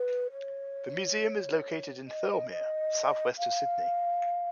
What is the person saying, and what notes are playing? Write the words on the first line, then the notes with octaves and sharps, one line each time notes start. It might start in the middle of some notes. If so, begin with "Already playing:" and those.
The museum is located in Thirlmere, south-west of Sydney.
Already playing: B4
C#5
D#5
D#5
F5